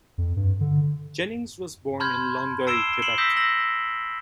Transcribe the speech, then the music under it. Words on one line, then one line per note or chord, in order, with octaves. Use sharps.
Jennings was born in Longueuil, Quebec.
F2
G2
D3
A5 B5 C6 F6 G6 G#6
A5
A5 E6 C7 D7 E7 G7
C7 C#7 E7 F#7 G7
D#6 E6 G6 A#6 B6
E6 A#6 F#7